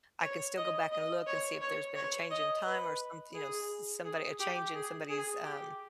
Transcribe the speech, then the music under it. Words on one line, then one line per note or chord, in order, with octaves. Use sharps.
I can still go back and look and see if there's been a change in time or somethi you know, s somebody a change in somebody's, um,
C#5
D#5
D#5
C#5
C#5
C#5
D#5
B4
G#4
G#4
G4
G#4
G#4
G4